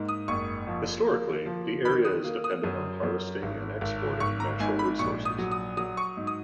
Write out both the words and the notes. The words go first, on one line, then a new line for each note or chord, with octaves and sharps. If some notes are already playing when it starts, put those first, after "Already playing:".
Historically the area is dependent on harvesting and exporting natural resources.
Already playing: G#2 A#3
D#6
F#1 C#6
F3
A#3
F3
D#3 B5
D#6
A#3
D#6
F#2
F#2
G#1
G#1
G#1 C#6
A#5
G#2 G#5
B5
A#1 C#6
D#6
F#3
D#6
F#3 D#6
C#6
G#2
D#6